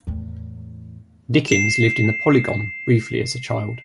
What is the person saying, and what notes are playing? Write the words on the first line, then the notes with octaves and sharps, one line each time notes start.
Dickens lived in the Polygon briefly as a child.
E2 A2
C7 E7